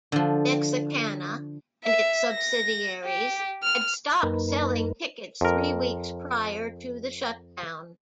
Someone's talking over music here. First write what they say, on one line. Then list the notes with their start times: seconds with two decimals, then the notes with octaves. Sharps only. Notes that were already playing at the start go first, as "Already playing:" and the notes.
Mexicana and its subsidiaries had stopped selling tickets three weeks prior to the shutdown.
0.12 D3 F3
1.84 E5
2.32 A#6
3.04 G4
3.63 F6
4.23 F#2 A#3 D#4 A#4 B4
5.41 F2 A#4